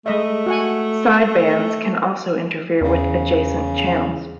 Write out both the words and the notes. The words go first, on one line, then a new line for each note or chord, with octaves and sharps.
Sidebands can also interfere with adjacent channels.
G#3 A3 D#5 E5
F#4 F#5 G#5
E2 C#3